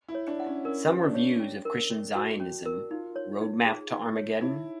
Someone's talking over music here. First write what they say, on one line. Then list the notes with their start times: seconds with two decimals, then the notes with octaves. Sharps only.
Some reviews of Christian Zionism - Road Map to Armageddon?
0.08 E4
0.15 C#5
0.27 D4
0.40 F#5
0.46 C#4
0.65 C#4 A#4
0.90 G4
1.03 D4
1.15 C#5
1.40 C#4
1.65 A#4
1.90 C#4
2.15 F#4
2.40 C#4
2.66 A#4
2.91 D#4 F4
3.16 C#5
3.41 D#4
3.66 G#4
3.91 D#4
4.16 C#5
4.41 D#4 E4